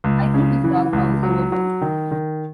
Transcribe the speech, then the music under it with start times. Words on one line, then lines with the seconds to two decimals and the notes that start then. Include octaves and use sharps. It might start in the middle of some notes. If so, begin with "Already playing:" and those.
I threw his doghouse overboard.
0.04 C#2
0.34 C#3
0.64 E3
0.93 C#2
1.23 F#3
1.52 F#3
1.81 D#3
2.11 D#3